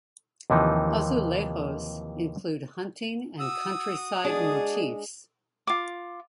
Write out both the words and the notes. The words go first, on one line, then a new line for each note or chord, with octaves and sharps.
Azulejos include hunting and countryside motifs.
D#2 C3 E3 F3 D#4
F#4 D#6 E6
G#3 D4 G#4
F4 D6